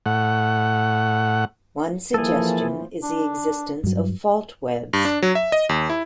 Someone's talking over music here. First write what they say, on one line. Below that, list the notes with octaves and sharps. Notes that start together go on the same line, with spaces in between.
One suggestion is the existence of fault webs.
A2 F#5
E3 F3 A#3 G#4 A4
D4
G2 F#3
G2
D4
F#3
E5
D#5
D#2
E4